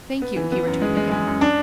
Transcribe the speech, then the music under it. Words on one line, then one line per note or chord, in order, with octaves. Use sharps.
"Thank you," he returned again.
B3
E3
B3
F#2
G#3
G#3
G#3
F#2
D4